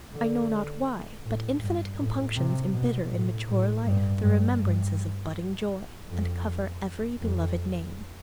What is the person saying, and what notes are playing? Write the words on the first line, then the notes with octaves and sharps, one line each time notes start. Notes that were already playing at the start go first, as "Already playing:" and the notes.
I know not why, but infinite compunctions embitter in mature life the remembrances of budding joy and cover every beloved name.
D3
A2
G2
A2
C3
B2
A2
A2
G2
G2
G2
F2
F2